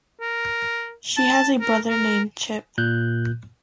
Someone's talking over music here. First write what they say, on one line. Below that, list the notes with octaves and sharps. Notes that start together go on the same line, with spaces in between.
She has a brother named Chip.
A#4
A5
A#4
A#4
A#2 F#6 G6